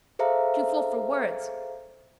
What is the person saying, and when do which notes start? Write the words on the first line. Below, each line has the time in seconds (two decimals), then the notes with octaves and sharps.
Too full for words.
0.19 G#4 A4 C5 E5 F5 A#5